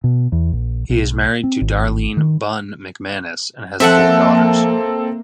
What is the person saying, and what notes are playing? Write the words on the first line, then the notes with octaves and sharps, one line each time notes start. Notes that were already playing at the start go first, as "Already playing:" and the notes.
He is married to Darlene "Bun" McManus and has four daughters.
B2
E2
A#1
B1
C4
G#1
D#3
F3 A#3 C4 A4 E5 F#5